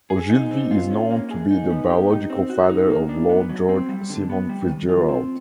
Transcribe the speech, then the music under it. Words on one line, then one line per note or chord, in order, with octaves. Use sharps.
Ogilvie is known to be the biological father of Lord George Simon FitzGerald.
G#4
D#4
C4
F4
C#4
A#3
G#4
D#4
B3
G4
D#4
C4
F#4
D#4
A#3
D4
B3
F#3
C4
G3
D3
B3
G3
D#3
F4
C4